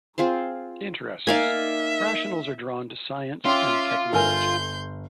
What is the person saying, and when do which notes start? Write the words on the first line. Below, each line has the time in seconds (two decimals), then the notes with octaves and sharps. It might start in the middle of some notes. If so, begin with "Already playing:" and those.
Interests: Rationals are drawn to "science" and "technology".
0.18 C4 F4 G#4 C5
1.27 A#3 D#4 D5 E5 F5 G#5
3.45 C#4 F4 E5 G5 C6 D6
4.13 G1 A4 A#4 G#5 C6 G6